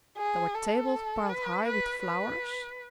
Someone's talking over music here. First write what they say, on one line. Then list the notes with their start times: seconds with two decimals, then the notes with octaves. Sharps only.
There were tables piled high with flowers.
0.18 G#4
0.55 A4
1.29 B4
1.66 B4
2.03 B4